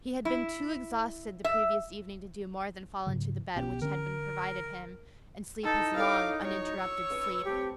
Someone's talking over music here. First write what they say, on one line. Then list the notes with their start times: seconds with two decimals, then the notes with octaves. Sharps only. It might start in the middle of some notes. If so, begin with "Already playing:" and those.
He had been too exhausted the previous evening to do more than fall into the bed which had been provided him and sleep his long, uninterrupted sleep.
0.25 E4
1.44 E5
3.07 G#2 C#3 F#3
3.56 B1 B3 C#4 G4
3.82 D3 B3 C#4 A#4
5.64 E2 D#4 A4
5.96 E4 A4 C#5 F5 D6
6.42 F#3 C#5
6.79 E6
7.10 C#4 D#4 B4
7.45 G2 A3 C4 G4